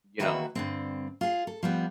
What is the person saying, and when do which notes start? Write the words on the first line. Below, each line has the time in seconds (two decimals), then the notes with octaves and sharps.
you know,
0.20 D#3 E3 A#3 F#4 B4 E5
0.55 G2 D3 C4
1.21 F4 G#4
1.47 A4
1.63 F3 G3 B3